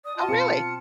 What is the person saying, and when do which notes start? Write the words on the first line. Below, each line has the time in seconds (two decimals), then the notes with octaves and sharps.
Oh, really?
0.05 D5 D#6
0.17 F4 D#5 A5
0.29 B2 C4 C#7